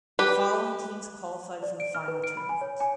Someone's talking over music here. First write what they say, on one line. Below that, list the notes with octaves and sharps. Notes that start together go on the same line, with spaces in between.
The following teams qualified for the final tournament.
G4 B4
D5
D7
F6
B4
D7
B5
G#5
C#5
G#5